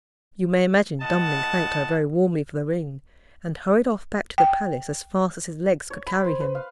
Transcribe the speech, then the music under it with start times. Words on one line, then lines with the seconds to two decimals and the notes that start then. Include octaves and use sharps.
You may imagine Dummling thanked her very warmly for the ring, and hurried off back to the palace as fast as his legs could carry him.
1.01 A2 D#5 F#5 A5
4.38 G5
5.90 C#5
6.06 B5
6.24 C5
6.40 B4
6.55 F5